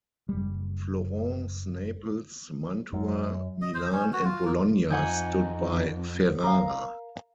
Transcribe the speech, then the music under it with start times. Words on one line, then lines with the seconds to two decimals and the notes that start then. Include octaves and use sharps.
Florence, Naples, Mantua, Milan, and Bologna stood by Ferrara.
0.29 F#1 G3
2.93 F#2
3.62 D#5
3.74 C5
3.92 C#4
4.13 F#4
4.25 F4
4.44 A#3
4.90 F2 D#4 F#5 G#5 G6
6.44 A#4 F5